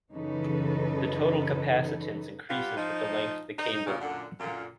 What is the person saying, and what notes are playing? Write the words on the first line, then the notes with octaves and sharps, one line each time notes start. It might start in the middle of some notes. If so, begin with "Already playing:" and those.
The total capacitance increases with the length of the cable.
F#2 C#3 E3 D#4 A4 B4
G3 F4 G4 B4 F#5
F3 D#4
D#4
A#2 C#3
F#2 A#2 D3
F#2 A#2 D3 A#3 F4